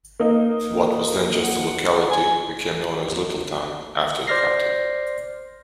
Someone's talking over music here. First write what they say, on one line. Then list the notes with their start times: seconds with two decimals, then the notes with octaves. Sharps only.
What was then just a locality became known as Lyttleton after the Captain.
0.20 A#3 D#4
1.42 F#5
2.11 G#5
4.27 C5 D5 F6 A#6 C7